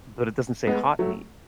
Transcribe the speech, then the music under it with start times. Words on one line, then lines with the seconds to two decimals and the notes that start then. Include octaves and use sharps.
But it doesn't say, "hot meat."
0.67 G#3 B3
0.99 F#3 A3